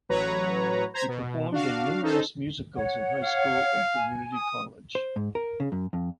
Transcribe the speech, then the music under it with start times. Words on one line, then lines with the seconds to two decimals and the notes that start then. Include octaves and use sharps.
He performed in numerous musicals in high school and community college.
0.09 A1 F#3 B4 C#5 A#5
0.94 C5 A#5 G#6 B6
1.08 B2
1.52 D4 F#4 F5
2.01 C#4 D#4 A4 C5
2.75 C#5 F#5
3.24 F5
3.93 G#5
4.34 D#6
4.95 C5
5.16 G#2
5.35 A#4
5.60 C#3
5.72 F#2
5.93 F2